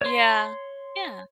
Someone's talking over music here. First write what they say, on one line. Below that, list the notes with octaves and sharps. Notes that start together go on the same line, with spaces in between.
Yeah, yeah.
C#5 C6